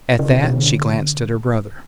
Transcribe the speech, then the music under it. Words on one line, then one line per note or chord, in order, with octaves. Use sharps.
At that, she glanced at her brother.
C#3
B2
B2
D3